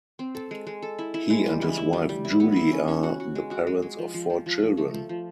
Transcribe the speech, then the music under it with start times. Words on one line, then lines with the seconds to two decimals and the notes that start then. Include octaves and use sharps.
He and his wife Judy are the parents of four children.
0.19 C4
0.35 A4
0.51 G#3
0.67 G#3
0.82 A4
0.99 E4
1.14 E4
1.30 G#3
1.46 G3
1.61 E3
1.77 E4
1.93 G3
2.09 G3
2.25 E4
2.40 B3
2.56 E4
2.72 C#4
2.88 C#4
3.03 F#4
3.20 F#4
3.35 G#3
3.51 F#4
3.67 G#3
3.82 G#3
3.99 F3
4.14 F3
4.30 F3
4.46 F3
4.62 F3
4.77 A3
4.94 F3
5.09 F3